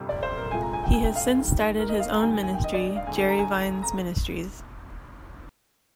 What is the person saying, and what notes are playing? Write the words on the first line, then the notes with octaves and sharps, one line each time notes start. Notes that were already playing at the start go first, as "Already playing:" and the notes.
He has since started his own ministry, Jerry Vines Ministries.
Already playing: G1 F2 C3 G3
D5
C5
A#4
F2 C3 F3 G#3 G#5
A#5
G#5
G5
G#5
G5
F5
D#2 D#3 G3
A#4
D#5
F5
A#5
D#2 D#3 G3 G#5
G#5
G#5
G5
D#5
D5
F5
F2 D3 G#3 G#5
G#5
A#5
G#5
A#5